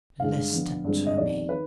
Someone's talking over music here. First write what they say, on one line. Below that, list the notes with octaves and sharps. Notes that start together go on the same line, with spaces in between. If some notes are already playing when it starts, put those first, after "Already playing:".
'Listen to me.
G2 D3 G#3 F5
D3 F3 B3
G2 D3 G#3 C4
D#5
F2 D#3 G3 B3 D5
D#3 B4